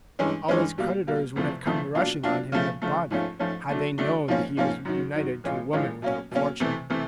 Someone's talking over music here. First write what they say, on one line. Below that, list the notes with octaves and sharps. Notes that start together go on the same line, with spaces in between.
All his creditors would have come rushing on him in a body, had they known that he was united to a woman without fortune.
G2 E3 G#3 C#4
G2 E3 G#3 C#4
B2 G3 A#3
B2 G3 A#3
E2 C3 F3 A3
E2 C3 F3 A3
B2 F#3 A#3 D4 F4
B2 F#3 A#3 D4 F4
C#3 F3 A3
C#3 F3 A3
G#2 F3 A3 C#4 F4
G#2 F3 A3 C#4 F4
D3 F#3 A3 D4
D3 F#3 A3 D4
G#2 F3 A#3 C#4
G#2 F3 A#3 C#4
F#2 D#3 F#3
F#2 D#3 F#3
A2 E3 G#3 C#4 F4
A2 E3 G#3 C#4 F4
B2 F#3 A#3 C#4
B2 F#3 A#3 C#4
C3 E3 A3
C3 E3 A3